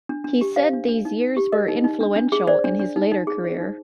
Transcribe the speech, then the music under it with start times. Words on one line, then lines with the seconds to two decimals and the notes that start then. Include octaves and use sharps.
He said these years were influential in his later career.
0.09 D4
0.24 D4
0.41 G4
0.56 C5 F5
0.73 D4
0.88 D4
1.05 D#4
1.20 D#4
1.37 G4
1.52 A#4 D#5
1.68 D#4
1.84 D#4
2.01 D4
2.16 D4
2.32 G#4
2.47 C5 D5
2.64 D4
2.80 D4
2.96 D#4
3.12 D#4
3.27 G#4
3.44 C5
3.60 D#4